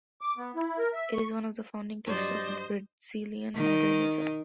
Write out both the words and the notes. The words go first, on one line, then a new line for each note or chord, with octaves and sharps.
It is one of the founding texts of Brazilian modernism.
D6
B3
E4
A#4
E5
C#6
G2 F#3 C5 D5 D#5
D#3